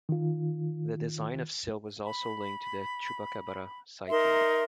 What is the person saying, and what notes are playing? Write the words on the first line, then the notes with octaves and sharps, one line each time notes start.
The design of Sil was also linked to a chupacabra sighting.
D#3 F4
B5
D#4 A#4 E5 C6